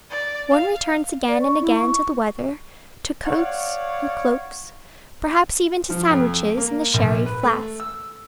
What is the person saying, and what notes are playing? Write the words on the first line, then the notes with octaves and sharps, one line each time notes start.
One returns again and again to the weather, to coats and cloaks, perhaps even to sandwiches and the sherry flask.
D5
F5
D5
C#6
E4
C#6
C#5 D5 F5 F#5
F3
F2
A#3
A#1
B4
A3
E6